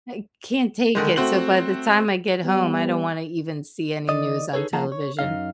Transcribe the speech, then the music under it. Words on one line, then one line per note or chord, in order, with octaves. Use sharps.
I can't take it. So, by the time I get home, I don't wanna even see any news on television,
D3 D#3 G#3
A3 C4 F#4 F#7
G3 B3
D#3 D5 D#5
D#4 G#4 A4 B4 C#5
F3 A#3 G#4 F#5 A5 A#5
C#5
F#2 E3 D#4 F5